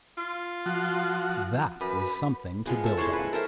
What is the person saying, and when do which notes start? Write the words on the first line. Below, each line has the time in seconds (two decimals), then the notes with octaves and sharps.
That was something to build on.
0.18 F4
0.66 F3 F#4
1.81 F#2 B4
2.66 F3 G#3 B3
2.84 A4 E5
2.97 G#3 E4 C5 C#5
3.13 B4
3.33 A4 A#4 C5 E5